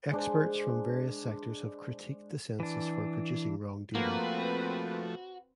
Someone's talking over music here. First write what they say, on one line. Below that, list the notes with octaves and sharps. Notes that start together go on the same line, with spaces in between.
Experts from various sectors have critiqued the census for producing wrong data.
G#3 D4 C5
E3 D4
F3 A3 A#3 C4 F#4 B4